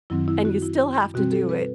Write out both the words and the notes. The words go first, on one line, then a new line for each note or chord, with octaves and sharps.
and you still have to do it,
F#2 D#3 F#3 C4 E4
E4
F#4
E4
B2 G3 C4 F#4
A4
B4